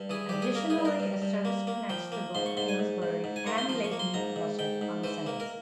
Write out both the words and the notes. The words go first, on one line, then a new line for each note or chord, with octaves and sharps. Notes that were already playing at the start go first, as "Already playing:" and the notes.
Additionally a service connects to both Aylesbury and Leighton Buzzard on Sundays.
Already playing: G2
E3 G#4
G2 G4
G#4
A#3 A#4
G#4
G2
A#4
G2
G2
A#3
A#3
F3 G5
A#3
G#2 C6
C#6
G#2 C6
G#5
G#2
G#2
G#2
G#5
A#3 A#5
C6
F3 C6
C#6
A#3
C6
G#2 A#5
G#2
G#2 G5
G#2
E3 C5
A#3
A#4